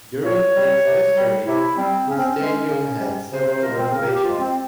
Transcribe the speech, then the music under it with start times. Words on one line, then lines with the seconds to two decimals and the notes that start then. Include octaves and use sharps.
During its history, the stadium had several renovations.
0.23 A#2 C#5
0.55 G3
0.85 C3
1.16 G3
1.46 C3 E4
1.77 G3 C4
2.08 C#3 C#4
2.18 C4
2.27 C#4
2.40 E3 G#3
2.69 C#3
3.00 G3
3.32 C#3 C5
3.47 C5
3.62 F3 G#3 A#4
3.78 C4
3.93 C#3 A#4
4.08 G4
4.23 F3 G#3 F4
4.39 C4